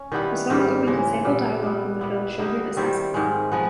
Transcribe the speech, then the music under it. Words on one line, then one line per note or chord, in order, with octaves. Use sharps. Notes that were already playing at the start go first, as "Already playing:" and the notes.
The song opens with sampled dialogue from the film "Shogun Assassin".
Already playing: C#4
D#3 G3 B3 E4
G#2 D#3 G3
C#3 E3 G#3
A#2 G3 B3
A#2 G3 B3
A#2 G3 B3 E4
D3 G3 B3 D#4
D#3 G3 C4 E4
G#2 D#3 G#3
F3 G#3 B3